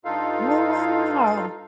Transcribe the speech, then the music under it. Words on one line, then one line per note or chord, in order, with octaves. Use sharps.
Oh, wow.
G2 D#4 F4 A4 F5